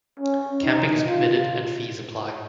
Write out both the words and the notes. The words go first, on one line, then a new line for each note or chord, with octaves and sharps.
Camping is permitted and fees apply.
C#4
D#4
F4